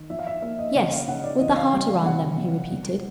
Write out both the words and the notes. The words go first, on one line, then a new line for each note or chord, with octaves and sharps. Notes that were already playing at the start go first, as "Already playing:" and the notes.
"Yes, with a heart around them," he repeated.
Already playing: D#3
F3 E5
F5
E5
A#3 E5
D#5
C#3 D#5
F5
C#3 F#5
D5
E3 D#5
F5
G3 G5
F5
C3 F#5
C3
G3